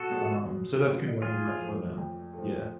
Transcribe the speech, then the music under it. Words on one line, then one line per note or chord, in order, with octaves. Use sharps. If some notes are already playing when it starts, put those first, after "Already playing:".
Um, so that's kinda what I mean by slow down, yeah.
Already playing: B2 F#4 A4
F#3 B3 F4 G#4
B2
F#3 B3 F4 G#4
F2 F4 G#4
F3 A3
F2
F3 A3